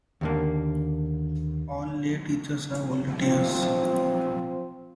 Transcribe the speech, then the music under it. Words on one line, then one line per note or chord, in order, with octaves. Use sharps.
All lay teachers are volunteers.
D#2 D3 A#3
F3 C4